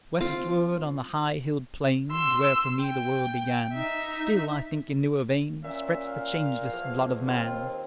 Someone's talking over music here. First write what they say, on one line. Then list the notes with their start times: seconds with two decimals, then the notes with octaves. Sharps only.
Westward on the high-hilled plains Where for me the world began, Still, I think, in newer veins Frets the changeless blood of man.
0.21 C4 F4 F5
2.11 C6 E6
2.81 G5
3.73 D#4 E5
5.64 A#2 C#4 E5
6.06 F5
6.72 E2 F3
7.26 D#2 C4 F4